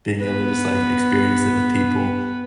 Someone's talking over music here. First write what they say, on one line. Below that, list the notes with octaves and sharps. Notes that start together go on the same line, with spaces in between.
being able to just like experience it with people,
B3 B4